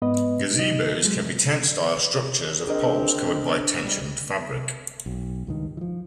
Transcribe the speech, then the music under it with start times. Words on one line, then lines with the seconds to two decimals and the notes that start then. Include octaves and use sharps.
Gazebos can be tent-style structures of poles covered by tensioned fabric.
0.02 G#2 B3 B4 D#5
0.55 D#4 D#5
1.03 F#3 G#3
2.67 C4 D4 G#4 A#4 C5 D#5
3.77 G3
5.06 B1
5.47 C#2 G2 D#3
5.77 E3 F3